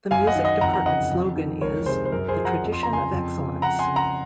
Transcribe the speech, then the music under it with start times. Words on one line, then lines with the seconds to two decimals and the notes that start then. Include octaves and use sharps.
The music department slogan is, "The Tradition of Excellence".
0.11 F#2 F5 G#5
0.27 D#5 F#5
0.35 D#3
0.44 D#5 F#5
0.61 F2 F#5 A#5
0.73 F#5 A#5
0.86 C#3 D#5 F#5
1.11 F2
1.36 D#3
1.61 C#2 A#4 C#5
1.86 C3 G#4 C5
2.05 C5
2.12 F#2 A#4
2.28 G#4 C5
2.37 F3
2.45 F#5 A#5
2.63 F2
2.72 C6
2.83 C#3 A#5
2.93 G#5 C6
3.13 F2
3.37 C#3
3.62 F2 F#5 A#5
3.79 G#5 C6
3.87 C#3
3.96 F#5 A#5